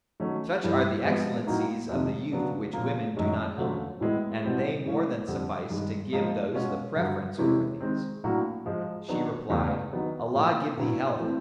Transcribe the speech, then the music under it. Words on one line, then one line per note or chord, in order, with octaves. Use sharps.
Such are the excellencies of the youth which women do not own, and they more than suffice to give those the preference over these.' She replied, 'Allah give thee health!
D#3 F#3 A3 C#4
G2 E3 G3
G#2 F3 G#3 B3
A2 F#3 A#3 D#4 F#4
F2 C3 D#3
C#3 F#3 B3 D4
A#2 F3 A#3
F#2 D#3 G#3 C#4
D3 F#3 A3 C#4 F4
A2 E3 G#3 B3 E4
B2 G3 C4 E4
G#2 E3 A3 C#4
F2 D3 G3
G2 D#3 G#3
G#2 F3 A#3
B2 G#3 C#4 F4
G2 D3 F#3
C3 E3 G#3 C#4 E4
D#3 G#3 C4
A2 F#3 A#3 D4 F#4
G#2 F3 G#3
D#3 F#3 B3 D4
E2 C#3 E3 A3
D#3 F#3 B3
A2 F3 A#3
A#2 F#3 B3 E4
E3 A3 C4